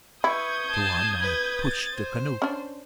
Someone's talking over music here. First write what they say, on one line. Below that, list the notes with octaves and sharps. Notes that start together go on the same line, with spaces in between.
Tuan, I pushed the canoe!
E4 B4 C#6 D#6 G6 G#6
A5 C7
B4
A6
C5
C#4 D4